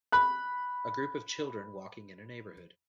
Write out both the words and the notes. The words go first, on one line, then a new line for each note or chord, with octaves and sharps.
A group of children walking in a neighborhood.
B5 F#6